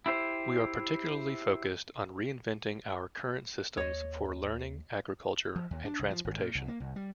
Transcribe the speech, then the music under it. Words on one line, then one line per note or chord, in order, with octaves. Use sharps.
We are particularly focused on reinventing our current systems for learning, agriculture, and transportation.
E4 G4 C5
D#2 C#5 D#5
F3
D#2
D4
C2
F3
G#1
A#2
C2
A#3
C2
G3